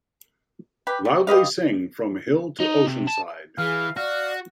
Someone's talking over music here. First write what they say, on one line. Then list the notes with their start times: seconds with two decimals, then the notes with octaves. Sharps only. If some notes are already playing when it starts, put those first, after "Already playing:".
Loudly sing from hill to oceanside!
0.87 G4 B4
1.05 G3
1.27 G4 B4 D#5 F5
2.60 D#4
2.87 C3
3.08 A5
3.58 E3 G#4 F5
3.97 F#4 D5 F5